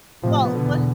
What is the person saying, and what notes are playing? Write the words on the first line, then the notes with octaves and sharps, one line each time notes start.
Well, what
A2 C3 F3
B3
B2 D3
E2